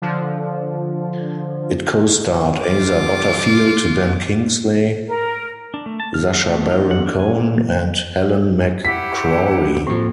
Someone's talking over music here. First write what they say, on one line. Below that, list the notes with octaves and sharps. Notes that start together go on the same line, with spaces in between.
It co-starred Asa Butterfield, Ben Kingsley, Sacha Baron Cohen and Helen McCrory.
D3 F3
F4 D6
A#4
D4
A3
A5
F6
G#4
A3
D#4
F#5
D4
G#5
E4 G4 F#5 B6
A2 F3 A#3 C4